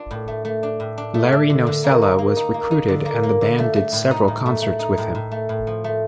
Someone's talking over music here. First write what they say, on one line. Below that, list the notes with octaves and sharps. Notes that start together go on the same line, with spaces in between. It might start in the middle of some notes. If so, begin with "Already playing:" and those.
Larry Nocella was recruited and the band did several concerts with him.
Already playing: D4 F4
A2
A3
A3
D4
A2
D4
A3
D4
D3
D3
A#3
D#4
A#3
D#4
A#3
D#4
D3
A#3
A#3
D3
A3
A3
A2
D#4
A2
A3
A3
D#4
A2
A2
A3
A2
F3
A3